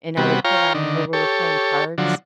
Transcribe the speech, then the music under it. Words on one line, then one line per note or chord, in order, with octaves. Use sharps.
and I would put on or we were playing cards,
C3 G3 B3 F#4
F4 C#5 F5 G5 A#5
D3 D#3
G4 A4 C#5
D3 F3 F#3